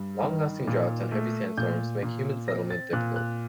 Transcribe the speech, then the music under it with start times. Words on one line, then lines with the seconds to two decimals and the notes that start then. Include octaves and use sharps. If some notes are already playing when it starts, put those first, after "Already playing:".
Long lasting droughts and heavy sand storms make human settlement difficult.
Already playing: G2
0.22 D#3
0.67 A#2
1.12 A3
1.57 A#2 G6
2.03 A#2
2.47 C4 A#6
2.71 A6
2.93 A#2 F#6
3.16 F#6